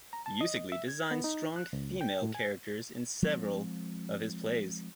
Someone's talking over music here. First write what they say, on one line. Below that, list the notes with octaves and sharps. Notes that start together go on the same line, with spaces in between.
Usigli designed strong female characters in several of his plays.
A#5
A5
D#5
E5
G#6
B3
D#4
F#6
C#2
G5
A2
G#5
F3 G#3 C4